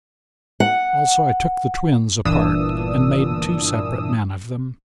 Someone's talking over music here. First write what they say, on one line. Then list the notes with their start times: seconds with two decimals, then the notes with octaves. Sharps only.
Also I took the twins apart and made two separate men of them.
0.60 F#5
2.25 G1 A#2 E3 D4 D#6 E6